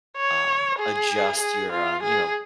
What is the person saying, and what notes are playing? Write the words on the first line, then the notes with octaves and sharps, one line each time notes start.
um, adjust your, um, you know,
C#5
G#4
G#4
F4
G#4